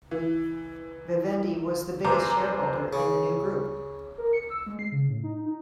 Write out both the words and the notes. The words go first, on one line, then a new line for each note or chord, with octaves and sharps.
Vivendi was the biggest shareholder in the new group.
E3
F1 C5 A#5 D6
C#3
A#4
C#7
E6
G#3
C7
C#3
A2
D#4
D#4